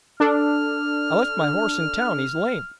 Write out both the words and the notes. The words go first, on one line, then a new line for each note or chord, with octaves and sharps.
"I left my horse in town--he's lame."
D4 A4 F6